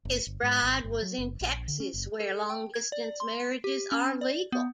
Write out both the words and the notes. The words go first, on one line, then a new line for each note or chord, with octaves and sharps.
His bride was in Texas where long distance marriages are legal.
F#1
G1
G#2
G#1
G1
F#3
F#1
A#1
D3
C#4
F#1
A4
G5
G#6
D5
C6
G4
C#4
D5
B3